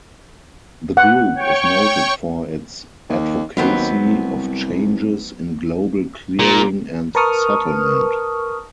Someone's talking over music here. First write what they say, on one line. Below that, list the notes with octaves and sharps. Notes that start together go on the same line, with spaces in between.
The group is noted for its advocacy of changes in global clearing and settlement.
F#5
C#5 G5 C#6
D#2
D#2 F#3 B3 C4
C2
A#2
A#4 B4 A5 C#6 D#6 F6